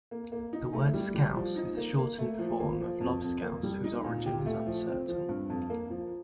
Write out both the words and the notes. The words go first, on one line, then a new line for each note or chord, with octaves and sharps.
The word "scouse" is a shortened form of "lobscouse", whose origin is uncertain.
A#3
A#3
D#4
A3
G3
G3
F3
D#4
A#3
A#3
A3
F3
A#3
F3
F2
F2
A#3
G3
D#4
A#2
G4
A3
F3
C4
F3
G2
F2
A#3
F3